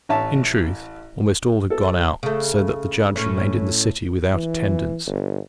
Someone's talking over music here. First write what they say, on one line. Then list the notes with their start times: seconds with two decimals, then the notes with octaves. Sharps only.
In truth, almost all had gone out, so that the judge remained in the city without attendance.
0.09 A1 C#5 E5 A5
1.70 A4
2.23 C#3 A3
3.16 A2 C#4 C#5
4.33 E3
5.06 G1